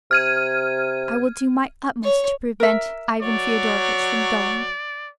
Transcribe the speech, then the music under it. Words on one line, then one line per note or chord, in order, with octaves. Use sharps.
"I will do my utmost to prevent Ivan Fyodorovitch from going."
C3 F6 G#6 D#7
C#5
A#4 E5
F#3 C#5 D5